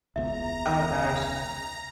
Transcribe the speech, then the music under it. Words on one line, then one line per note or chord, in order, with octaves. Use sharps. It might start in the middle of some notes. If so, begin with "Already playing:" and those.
Oh gosh.
E1 C#2 B3 E5 A#5